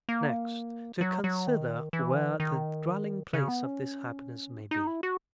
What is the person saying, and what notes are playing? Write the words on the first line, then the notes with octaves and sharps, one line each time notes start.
'Next to consider where the dwelling-place of this happiness may be.
A#3
F#3
F#3
D#3
E3
D#3
C#3
B3
C#4
D#4
E4
F#4